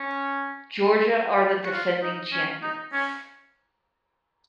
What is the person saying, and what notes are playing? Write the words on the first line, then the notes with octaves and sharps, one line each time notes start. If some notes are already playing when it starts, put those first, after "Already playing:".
Georgia are the defending champions.
Already playing: C#4
F#4
F4
D#4
C#4
D#4
C#4